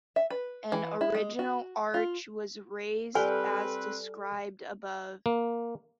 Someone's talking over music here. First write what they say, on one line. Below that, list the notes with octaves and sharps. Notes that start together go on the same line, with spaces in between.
An original arch was raised as described above.
E5
B4
E3
E4
G#3
F#4
F4
G3 C4 A4 B4 G5 G#5 F6
A#3